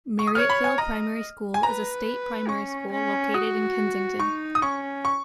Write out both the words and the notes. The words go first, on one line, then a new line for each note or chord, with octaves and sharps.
Marryatville Primary School is a state primary school, located in Kensington.
C#6
D#6
C#5 F6
B5
G#5
D#5 A#5
G#5
B4 A#5
C#4 C#6
C#4
F#4 D#6
D#4 C#6
D#6
C#4 C#6
C#6